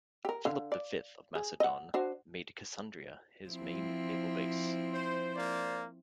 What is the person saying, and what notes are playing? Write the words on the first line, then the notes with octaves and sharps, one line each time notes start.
Philip the Fifth of Macedon made Cassandreia his main naval base.
G4 A#4
D3 F5
D5
G#4
D#5 F#5
D4 F#4 C5
F3 C4 E4
C5
A#3 C5 D5